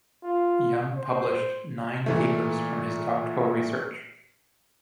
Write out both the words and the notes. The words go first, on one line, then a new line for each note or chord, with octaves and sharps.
Young published nine papers from his doctoral research.
F4
C5
A#2 E3 A3